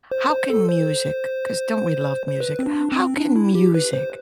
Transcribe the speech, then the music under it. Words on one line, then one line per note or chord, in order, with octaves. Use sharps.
how can music 'cause don't we love music? How can music
C5
C5
A4
C5
C5
B4
C4
D4
C4
D4
E4
G4
B4
C5